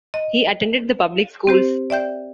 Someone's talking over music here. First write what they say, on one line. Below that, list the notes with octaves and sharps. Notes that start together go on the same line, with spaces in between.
He attended the public schools.
D#5
C4 G4 C5
D5 E5 G5 G6